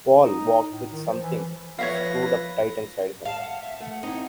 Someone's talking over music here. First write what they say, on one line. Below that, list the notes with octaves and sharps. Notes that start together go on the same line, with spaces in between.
Paul walked with something screwed up tight inside him.
D#4
A2
D#3
F3
E3
F3 B4 C#5 E5 F5 A#6
F5 A5
F#5
E5
A3 F#5
C4 D#4 E4